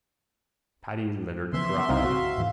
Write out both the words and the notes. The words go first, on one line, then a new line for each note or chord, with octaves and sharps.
Paddy Leonard cried.
C#3 E3 F3 B3 E5 C6
C2 C#3 C4 D#4 F5
F#4
E2 G#2 E3